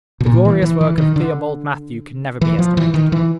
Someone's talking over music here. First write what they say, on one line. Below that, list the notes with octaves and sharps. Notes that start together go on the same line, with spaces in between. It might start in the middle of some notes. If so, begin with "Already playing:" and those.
The glorious work of Theobald Mathew can never be estimated.
B2
A#2
E3
E3
E3
D#3
D3
E3
F3
E3
D#3
E3